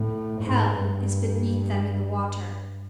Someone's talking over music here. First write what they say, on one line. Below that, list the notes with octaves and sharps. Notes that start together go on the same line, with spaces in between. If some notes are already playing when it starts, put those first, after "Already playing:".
Hell is beneath them in the water!
Already playing: A2
G#2
G2